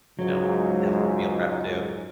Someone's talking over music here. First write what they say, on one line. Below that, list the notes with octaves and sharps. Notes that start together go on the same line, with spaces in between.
you know, helps with meal prep, too.
C#2 G#2 F#3